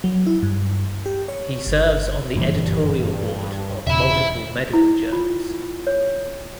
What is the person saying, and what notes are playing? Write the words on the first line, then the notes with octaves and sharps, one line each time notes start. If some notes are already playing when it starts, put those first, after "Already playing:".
He serves on the editorial board of multiple medical journals.
F#3
E4
G2
G4
C#5
G1
F#1 G2 A#2 E3
E1 C#3 E5 B5
E4
F4
C#5